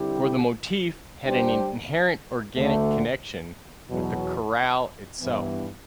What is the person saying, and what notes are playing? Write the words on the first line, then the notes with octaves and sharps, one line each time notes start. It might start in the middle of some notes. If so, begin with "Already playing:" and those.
For the motif had an inherent organic connection with the chorale itself.
Already playing: D3 G3 C4 E4 G4
G3 D4 G4 C5
D2 D3 A3
E2 B2 F#3
G2 E3 B3